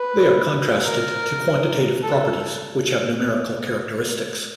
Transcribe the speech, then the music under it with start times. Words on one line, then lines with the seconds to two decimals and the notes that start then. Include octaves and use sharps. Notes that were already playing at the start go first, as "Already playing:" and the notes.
They are contrasted to quantitative properties which have numerical characteristics.
Already playing: B4
0.86 A#4
2.03 A4